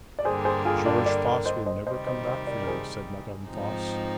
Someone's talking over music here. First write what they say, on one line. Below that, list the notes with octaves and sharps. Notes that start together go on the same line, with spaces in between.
'George Voss will never come back for you,' said Madame Voss.
D5
G2 D3 G3 A#3 G#4 C5
G#4 C5
F4 G#4
D4 F4
A#4 D5
A#4 D5
C5 D#5
C5 D#5
C3 D#3 G3 C5 D#5
C5 D#5
C5 D#5
A#4 D5
A#4
G#4 C5
G#2 F3 C4 D#4